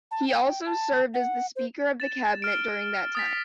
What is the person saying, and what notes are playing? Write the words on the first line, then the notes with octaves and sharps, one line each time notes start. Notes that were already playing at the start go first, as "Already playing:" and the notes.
He also served as the speaker of the cabinet during that time.
A5
G5
A5
F#5
C5
A6 E7
F6 D7
D#6 A6 B6